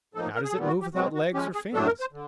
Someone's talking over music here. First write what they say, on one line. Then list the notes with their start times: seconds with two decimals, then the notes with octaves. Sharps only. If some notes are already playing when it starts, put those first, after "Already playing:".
How does it move without legs or fins?
0.14 A2 F3 A#3 D#4 A4
0.35 A#4
0.44 G#4
0.54 A#2 G3 B3 A4
0.67 F#4
0.81 G4
0.93 B2 G#3 C4 F#4
1.15 F#4
1.33 F3 G#3 C#4 G4
1.54 G#4
1.73 A2 F#3 A3 D4 A4
1.87 A#4
2.01 C5
2.13 D3